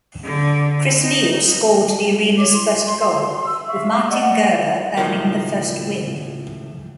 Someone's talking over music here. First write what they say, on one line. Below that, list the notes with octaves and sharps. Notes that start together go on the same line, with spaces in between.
Chris Neil scored the arena's first goal, with Martin Gerber earning the first win.
D3
D#4
C#5 D6
C6
E6
E5 F5 C#6
D5 D#5 F#5
C#2 A2 D#3 F3 F#3 A#3